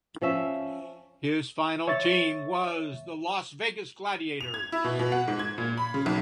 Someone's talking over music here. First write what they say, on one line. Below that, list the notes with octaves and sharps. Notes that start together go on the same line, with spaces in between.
His final team was the Las Vegas Gladiators.
F3 C#4 E5
C#5 E5 C#6 A6
F7
G#6
E4
B2
B2
F#5
G#2
G#6
A#2
B5
C#3
B1